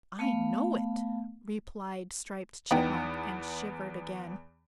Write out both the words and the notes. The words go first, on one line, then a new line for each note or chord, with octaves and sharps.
"I know it," replied Striped Chipmunk and shivered again.
A3 B3 F5
E2 B3 D#4 G5